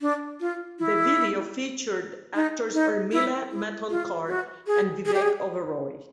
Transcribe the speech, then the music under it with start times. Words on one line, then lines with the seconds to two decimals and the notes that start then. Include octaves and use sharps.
The video featured actors Urmila Matondkar and Vivek Oberoi.
0.01 D4
0.40 F4
0.79 E4
2.35 D#4
2.74 D#4
3.12 E4
3.51 E4
3.90 F4
4.28 F#4
4.67 G#4
5.06 G#4
5.14 G4
5.22 G#4